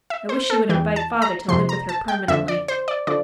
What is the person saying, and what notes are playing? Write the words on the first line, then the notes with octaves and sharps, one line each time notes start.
I wish she would invite father to live with her permanently.
E5
C5
A4
E2 E3 G5
A5
A#5
F2 C3 F3 C6
A#5
A5
G5
F2 D3 F3 E5
D5
C5
D5
D3 F3 D5